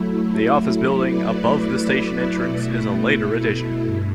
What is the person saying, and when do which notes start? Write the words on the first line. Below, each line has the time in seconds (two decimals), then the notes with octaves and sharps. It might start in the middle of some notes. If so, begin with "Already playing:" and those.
The office building above the station entrance is a later addition.
Already playing: F#3 A3 E4
1.03 F#3 A3 E4 B4 D5
2.43 B2 A3 E4
3.84 G2